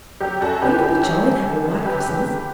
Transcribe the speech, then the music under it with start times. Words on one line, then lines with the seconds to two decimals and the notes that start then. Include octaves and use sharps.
Wouldn't it be jolly to have a white Christmas?
0.20 F#3 G4
0.41 F#2 F#4 A4
0.62 D3 G4 B4
0.82 F#2 G4
1.03 F#3
1.24 F#2
1.44 D3
1.65 F#2
1.85 F#3 G4 B4
2.06 E2
2.27 D3